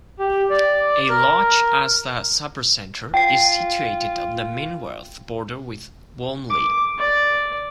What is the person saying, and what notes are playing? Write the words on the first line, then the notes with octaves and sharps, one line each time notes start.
A large Asda Supercentre is situated on the Minworth border with Walmley.
G4
D5
A#4
F4 G5 C7
D6
D5